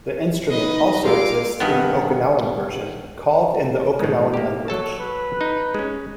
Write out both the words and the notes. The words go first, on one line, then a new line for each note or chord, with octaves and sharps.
The instrument also exists in an Okinawan version, called in the Okinawan language.
B3 D#4 B4 D#5
G3 G#3 F4 A4 F5 D6
G2 D#3 B3
A2 G#3
A#3 G4
F#3 A4 C#5 A5
B4
D#4
G#3 C#4